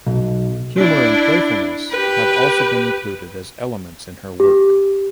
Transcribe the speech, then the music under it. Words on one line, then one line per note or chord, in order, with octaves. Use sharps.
Humor and playfulness have also been included as elements in her work.
B1
D4 E4
G4 B4
G4